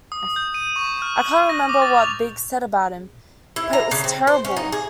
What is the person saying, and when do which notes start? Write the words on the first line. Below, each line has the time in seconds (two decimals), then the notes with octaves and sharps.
I can't remember what Big said about him, but it was terrible.
0.12 D#6
0.36 G6
0.54 D#7
0.76 C#6
1.02 F6
1.19 F#7
1.49 A#6
1.69 D6
1.82 A6
1.99 F7
3.56 E4
3.73 A#5
3.91 C#3
4.04 C4
4.27 C5
4.45 C#4
4.57 D#4
4.72 G#4